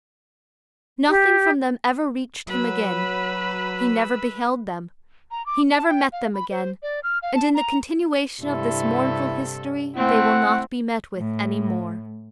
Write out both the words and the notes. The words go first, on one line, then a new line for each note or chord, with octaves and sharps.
Nothing from them ever reached him again; he never beheld them; he never met them again; and in the continuation of this mournful history they will not be met with any more.
G4
F#3 B4 B5 E6
A#5
D6
A5
G5
F5
B5
C5
D5
F6
F5
A5
A#5
G2 C3 E4 A4
A3 C4 E4 F#5
A2